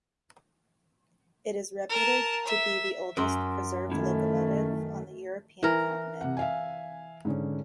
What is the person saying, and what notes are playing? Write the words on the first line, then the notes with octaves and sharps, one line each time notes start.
It is reputed to be the oldest preserved locomotive on the European continent.
A#4 A5
E5
F#2 A#4 C6
D#3 A3 C#4 E4
E3 A#4
C3 F#5
E5 F5 G#5
G#2 D3 C#4